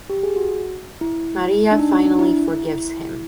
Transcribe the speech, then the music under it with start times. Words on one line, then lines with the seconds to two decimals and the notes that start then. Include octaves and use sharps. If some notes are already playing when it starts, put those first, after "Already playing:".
Maria finally forgives him.
0.10 G4
0.23 G#4
0.36 F#4
1.01 E4
1.72 D4
1.79 D#4
1.92 D4
2.05 D4
2.19 E4